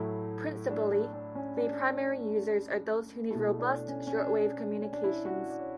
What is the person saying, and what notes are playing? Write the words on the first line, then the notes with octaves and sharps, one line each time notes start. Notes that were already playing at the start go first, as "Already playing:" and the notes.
Principally, the primary users are those who need robust shortwave communications.
Already playing: A2 F#3 A3 E4
D4
D4
D4
C#4
D4
B2 A3 E4
D4
C#4
C#4
D4
C#4
D4
E4
F#4
D5
C#5